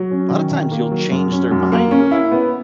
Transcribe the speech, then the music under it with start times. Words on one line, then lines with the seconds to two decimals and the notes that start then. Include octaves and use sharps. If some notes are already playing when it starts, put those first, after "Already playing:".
lotta times you'll change their mind with it.
Already playing: F#3
0.11 C#4
0.31 D#3
0.51 D#3
0.72 A#3
0.91 F#3
1.11 F#2
1.32 C#4
1.51 F#2
1.72 A#3
1.91 C#4
2.11 E4
2.32 B3